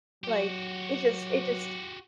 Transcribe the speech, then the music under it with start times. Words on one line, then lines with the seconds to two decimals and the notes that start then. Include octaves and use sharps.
like, it just it just
0.24 F#3 F#4 G4